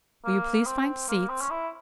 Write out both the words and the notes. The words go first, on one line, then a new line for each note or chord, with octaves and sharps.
Will you please find seats?
A#3
C4
A#3
C4
C#4
E4